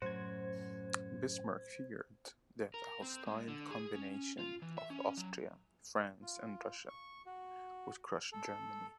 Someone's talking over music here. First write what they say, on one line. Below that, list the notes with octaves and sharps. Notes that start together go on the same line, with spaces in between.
Bismarck feared that a hostile combination of Austria, France and Russia would crush Germany.
F#2 A2 F#3 F#4 C5 G#6
A#4
C4
G#3
D3
G#4
C#4
F4
E3
E5
C#4
F#3
F4
C#6
F#4
A4